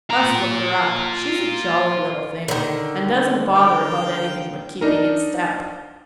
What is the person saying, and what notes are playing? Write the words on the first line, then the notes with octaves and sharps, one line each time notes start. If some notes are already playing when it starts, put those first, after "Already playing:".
Must look her up; she's a jolly little thing, and doesn't bother about anything but keeping in step.'
F4 A#5
D3 D#3
A#4 F5 G5
D4 D#4 A#4